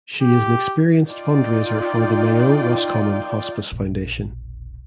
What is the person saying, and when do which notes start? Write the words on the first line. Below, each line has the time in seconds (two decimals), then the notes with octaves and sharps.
She is an experienced fundraiser for the Mayo Roscommon Hospice Foundation.
0.22 G4
1.08 D#4 F4 D5 G5
3.72 E1 A#1